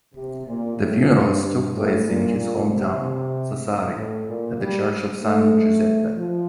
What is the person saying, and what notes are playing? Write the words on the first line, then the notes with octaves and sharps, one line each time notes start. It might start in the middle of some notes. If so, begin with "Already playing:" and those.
The funerals took place in his hometown, Sassari, at the Church of San Giuseppe.
C3
A#2
A2
G2
A2
A#2
A#2
C3
C3
A2
A#2
G3
A3
F3